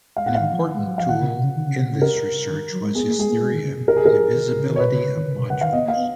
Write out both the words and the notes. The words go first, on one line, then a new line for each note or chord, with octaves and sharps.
An important tool in this research was his theory of divisibility of modules.
G#3 F5
B3 F#5
D#3 F5
F3
D#3
G#3
F#3
F3 F5
D#3 F#5
C#3
B2
C#3
D#3
C#3
B2
C#3
A#4
D#3
F#3
G#3
B3 G#4
A#3
G#3 G#4
A#3
G#3
D#3
C#3
B2
A#4
G#4
D#3
A#4
F3
D#3
B2
C#3
D#3
C#5
B2 B4
C#3
C#3
D#3
C#3
B2
C#3 F#5
D#3 F5
B3 D#5
A#3
F5
B3